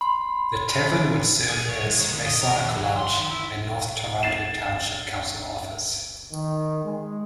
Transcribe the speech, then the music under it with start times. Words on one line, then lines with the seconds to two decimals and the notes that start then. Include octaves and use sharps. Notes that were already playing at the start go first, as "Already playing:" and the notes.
The tavern would serve as Masonic Lodge and North Toronto township council office.
0.01 B5 C6
1.49 G#4
1.69 C#5
1.86 G#3
1.99 D#3
2.11 D2
2.26 D#5
2.41 A#4
2.57 D#2
2.74 F#3
2.96 C6
3.15 D#3
3.30 E4
4.23 A6 C7 E7
6.32 D#3
6.84 G#3